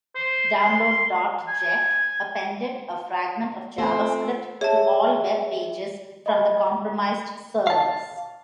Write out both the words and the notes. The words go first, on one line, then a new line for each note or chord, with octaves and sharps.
Download.ject appended a fragment of JavaScript to all web pages from the compromised servers.
C5
C6
G#5
A3 C4 F4 C5
G#4 C#5 E5 A5
D#5 B5
F5 A5